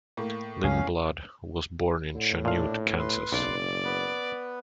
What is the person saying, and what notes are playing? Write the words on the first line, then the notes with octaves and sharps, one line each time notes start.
Lindblad was born in Chanute, Kansas.
A2 A#3
C#2 C#4 F5
A2 D3
A#2 D4 F5
B4 C6
F#1 B1 D5
B3 B4